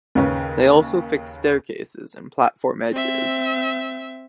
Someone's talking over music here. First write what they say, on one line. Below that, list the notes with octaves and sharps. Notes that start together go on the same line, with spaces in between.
They also fixed staircases and platform edges.
D#2 C#3 C#4 B4
C4 E5